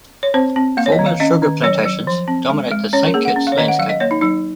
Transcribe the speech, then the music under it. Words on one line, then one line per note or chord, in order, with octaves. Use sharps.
Former sugar plantations dominate the Saint Kitts landscape.
C#5
C4 C5
C4
A#3 F5
C#5
D#5
D#3
F5
C#4 D#5
D#3
F#3 C#5
F#3
F3
C4
G#3
G#3
C#4 C#5
A#4
A#3 G#4
F#5
C#4
F5
C#5
D#3 D#5
F#5
F#3 F5
D#5
A#3 C#5
D#4
F#3 D#4